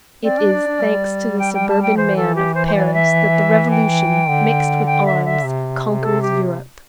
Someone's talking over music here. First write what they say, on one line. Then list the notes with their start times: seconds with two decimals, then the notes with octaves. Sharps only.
It is, thanks to the suburban man of Paris, that the Revolution, mixed with arms, conquers Europe.
0.24 C4 D5
0.38 D4
0.53 D4
0.67 D4
0.82 G3
1.39 G5
1.54 G5
1.69 A5
1.82 G5
1.97 E3 C5
2.16 A4
2.36 G4
2.55 C5
2.67 C5
2.74 D5
2.86 D5
2.94 E5
3.71 G5
4.29 D3
4.86 G5
5.06 E5
5.25 E5
5.44 C3
6.02 A4
6.22 G4